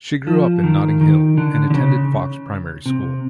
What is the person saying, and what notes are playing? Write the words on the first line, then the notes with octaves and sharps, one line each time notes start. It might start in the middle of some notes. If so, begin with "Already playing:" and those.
She grew up in Notting Hill and attended Fox Primary School.
F3
D#3
D#3
D3
D3
C#3
C3